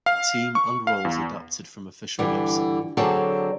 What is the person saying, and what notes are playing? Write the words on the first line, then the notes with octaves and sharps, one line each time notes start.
Team and roles adapted from official website.
F5
C#6
F5
E2
G2 D3 E3 G3
D3 F#3 C4 G#4 A4 D5